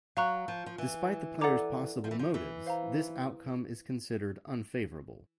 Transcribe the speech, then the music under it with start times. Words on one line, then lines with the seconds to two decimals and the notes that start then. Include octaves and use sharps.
Despite the player's possible motives, this outcome is considered "unfavorable".
0.17 F#3 F5 A#5 C#6 F#6
0.48 F3
0.66 F3
0.78 E3
1.41 A4 D5 F#5 A#5 D6
2.04 F3
2.11 E3
2.19 F3
2.34 E3
2.66 C5 F5 A#5